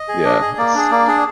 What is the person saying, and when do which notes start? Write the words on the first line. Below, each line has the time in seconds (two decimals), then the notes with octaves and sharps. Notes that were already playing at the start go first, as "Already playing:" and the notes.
Yeah, it's t
Already playing: D#5
0.08 G#4
0.24 D4
0.42 G#4
0.58 A#3 D5
0.75 D4 G#4
0.91 A#3
1.07 D4 G#4